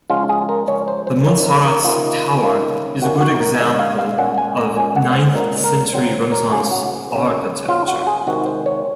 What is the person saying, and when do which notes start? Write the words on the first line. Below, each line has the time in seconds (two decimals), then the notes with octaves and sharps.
The Muntsaratz Tower is a good example of ninth century Renaissance architecture.
0.10 C#3 F3 G#3 C#4 F4
0.29 G#4
0.49 A#4
0.68 C#3 F3 G#3 C#4 C#5
0.88 C5
1.07 C5
1.21 C5
1.27 C3 D#3 A#3 C#4 C#5
1.46 A#4
1.65 A#4
1.84 C3 D#3 A#3 C#4 F4
2.43 C3 D#3 A#3 C#4
3.01 C3 D#3 A#3 C#4 F#4
3.21 F#4
3.40 A#4
3.60 A#2 G#3 C#4 D#5
3.79 F5
3.99 F5
4.18 A#2 G#3 C#4 F#5
4.38 G#5
4.57 A#5
4.76 A#2 G#3 C#4 G#5
4.96 F#5
5.15 C5
5.35 A#2 G#3 C#4 A#4
5.64 A#4
5.93 C#3 F#3 C4 C5
6.32 A#4
6.51 C#3 F#3 C4 G#4
6.71 F#4
7.10 C#3 F#3 C4
7.68 C#3 F#3 C4 F4
7.88 F#4
8.07 G#4
8.27 C3 D#3 G#3 C4 F#4
8.46 C5
8.66 C#5